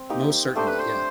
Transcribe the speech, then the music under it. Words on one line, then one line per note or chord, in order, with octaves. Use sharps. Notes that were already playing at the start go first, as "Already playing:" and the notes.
Most certainly, yeah.
Already playing: C4
A#3 D#4 G4
A3 D4 G4 C5
B4
C5